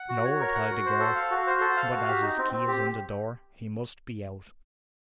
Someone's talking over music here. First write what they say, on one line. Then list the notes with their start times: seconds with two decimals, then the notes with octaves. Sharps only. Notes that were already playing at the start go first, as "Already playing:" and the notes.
"No," replied the girl, "but as his key is in the door, he must be out."
Already playing: F#5
0.09 F#4
0.25 C#5
0.40 A#4
0.54 F#5
0.71 F#4
0.85 C5
1.00 A4
1.15 F5
1.31 F#4
1.47 C5
1.61 A4
1.77 F5
1.91 F#4
2.08 G4
2.22 D#4
2.38 C4
2.53 C4
2.68 G4